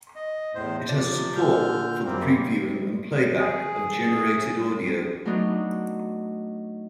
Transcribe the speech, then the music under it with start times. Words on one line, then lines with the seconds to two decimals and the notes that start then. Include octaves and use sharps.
It has support for the previewing and playback of generated audio.
0.16 D#5
0.55 E2 A2 C5
0.88 C3 F3 D5
1.36 A#2 D3 F6 G6
2.05 F#2 G3 A#3 C4
3.39 G#4
5.25 F#3 A3 B3 D4 D#4